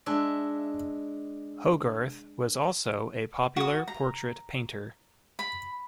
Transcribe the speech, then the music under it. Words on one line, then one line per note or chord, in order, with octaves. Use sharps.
Hogarth was also a popular portrait painter.
G#3 D4 E5
F#4 D#6
A#5
B5